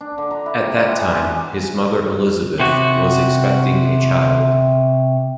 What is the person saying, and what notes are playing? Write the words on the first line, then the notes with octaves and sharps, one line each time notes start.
At that time, his mother Elizabeth, was expecting a child.
D4
D3
A#5
E4
G5
F#4
G#3
G#4
D4
C3 F#4